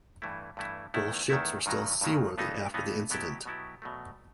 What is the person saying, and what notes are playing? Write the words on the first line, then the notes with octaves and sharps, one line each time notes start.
Both ships were still seaworthy after the incident.
G2 E3 A3 E4
G2 E3 A3 E4
E2 D#3 A3 E4
E2 D#3 A3 E4
G2 D#3 F#3
G2 D#3 F#3
G2 E3 B3 D#4
G2 E3 B3 D#4
B2 F#3 B3 E4 G4
B2 F#3 B3 E4 G4
E2 B2 F#3 A3